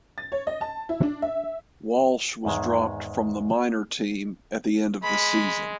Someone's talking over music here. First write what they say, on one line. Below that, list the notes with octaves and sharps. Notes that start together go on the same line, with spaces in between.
Walsh was dropped from the minor team at the end of the season.
A6
C#5
D#5
A5
E4
D4
E5
E2 G#2 D#3 G#3
G#3 B5